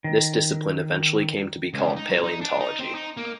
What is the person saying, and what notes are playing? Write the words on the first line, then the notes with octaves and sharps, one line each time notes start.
This discipline eventually came to be called palaeontology.
D#3
C#2
D#4
F#3
D#4
D4
D#4
C4
D#4
A#3